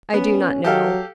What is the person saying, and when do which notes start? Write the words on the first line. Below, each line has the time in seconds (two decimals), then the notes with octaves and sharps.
"I do not know."
0.14 B3 C#4
0.64 F#3 G4 A4 F5